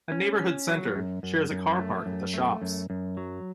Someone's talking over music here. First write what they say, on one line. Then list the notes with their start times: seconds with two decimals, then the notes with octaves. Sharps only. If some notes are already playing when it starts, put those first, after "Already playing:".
A Neighbourhood Centre shares a car park with the shops.
0.12 C#4
0.40 C#4
0.68 F#3
0.95 F#2
1.23 F#2
1.51 F#2
1.78 A3
2.06 F#2
2.34 A3
2.62 F#2
2.90 F#2
3.17 F#3